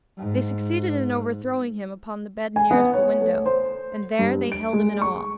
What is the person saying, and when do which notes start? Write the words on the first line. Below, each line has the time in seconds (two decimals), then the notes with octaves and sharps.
They succeeded in overthrowing him upon the bed nearest the window, and there they held him in awe.
0.18 G#2
2.56 G#5
2.71 B3
2.94 C#5
3.21 A3
3.46 C5
4.19 G2
4.52 D7
4.73 G#3
5.02 C#6